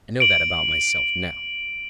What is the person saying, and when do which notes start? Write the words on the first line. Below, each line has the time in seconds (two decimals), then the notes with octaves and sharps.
I know that about myself now.
0.20 D7 F#7